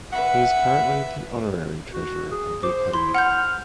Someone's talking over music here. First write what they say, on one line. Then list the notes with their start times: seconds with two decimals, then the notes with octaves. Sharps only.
He is currently the Honorary Treasurer of the Academy.
0.13 B4 E5 F#5
1.93 F#4
2.32 G#4
2.63 C5 D6
2.94 E4 C6
3.15 F#5 C6 F6 G6